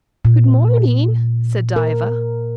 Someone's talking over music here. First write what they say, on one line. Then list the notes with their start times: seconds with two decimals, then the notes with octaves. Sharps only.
"Good morning," said Diva.
0.25 A#2
1.76 A#4